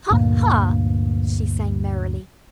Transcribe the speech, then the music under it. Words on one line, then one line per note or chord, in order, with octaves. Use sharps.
"Ha, ha!" she sang merrily.
D2 G2 A#2 A#3